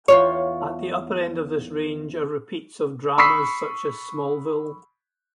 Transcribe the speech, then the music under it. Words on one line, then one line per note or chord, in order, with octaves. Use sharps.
At the upper end of this range are repeats of dramas such as "Smallville".
E2 F4 C#5
B5 C#6 D#6 E6 B6 C7